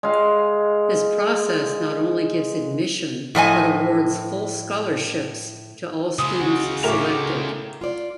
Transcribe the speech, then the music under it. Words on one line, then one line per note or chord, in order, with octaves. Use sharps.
This process not only gives admission but awards full scholarships to all students selected.
G#3 F5
A2 F3 D#5 G#5
C#3 G#3 D#6
F#4
A2 A#4 E5 C#6 D6 F7
F4 D5